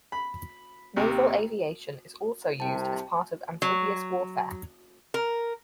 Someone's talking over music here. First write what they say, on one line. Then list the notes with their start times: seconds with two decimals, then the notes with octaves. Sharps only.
Naval aviation is also used as part of amphibious warfare.
0.12 B5
0.96 D#2 C3
2.60 C2 C3 G5 A5
3.62 F#3
5.14 A#4